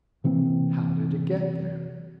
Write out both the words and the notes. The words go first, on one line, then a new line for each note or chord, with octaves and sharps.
How did it get there?
C3 E3 A#3 C4